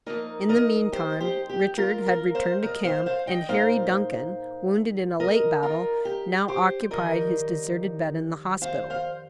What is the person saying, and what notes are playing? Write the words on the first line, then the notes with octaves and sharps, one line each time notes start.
In the meantime Richard had returned to camp, and Harry Duncan, wounded in a late battle, now occupied his deserted bed in the hospital.
F2 D#3 A#3 D#4 A#4 D#5
A#4 D#5
G4 C5
G4 C5
G4
F4 A#4
F4 A#4
C5 F5
A#4 D#5
C5 F5
C5 F5
D#5 G5
A#2 A#3 D#4 C5 F5
A#4 D#5
F4 A#4
G4
G4 C5
F2 D#3 G3 A#4 D#5
C5 F5
C5 F5